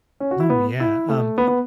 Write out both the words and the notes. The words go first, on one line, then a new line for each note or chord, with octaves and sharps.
No. Yeah, um,
C#4
F#4
E4
B3
E4
A3
B3
B3